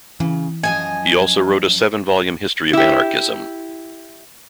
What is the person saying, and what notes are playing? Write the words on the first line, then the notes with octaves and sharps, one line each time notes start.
He also wrote a seven volume history of anarchism.
C#3 E3
F#2 F3 D#5 G#5
E4 G4